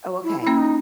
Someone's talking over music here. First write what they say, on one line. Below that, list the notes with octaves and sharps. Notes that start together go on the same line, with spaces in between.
Oh, okay.
E4
E4
A#3 C#4
D#4